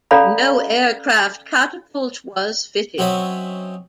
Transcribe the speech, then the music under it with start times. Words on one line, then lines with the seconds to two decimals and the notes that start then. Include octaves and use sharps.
No aircraft catapult was fitted.
0.11 C#4 A4 D5 F5 A#5 B5
2.98 F#3 C4 C#4 D#5 E5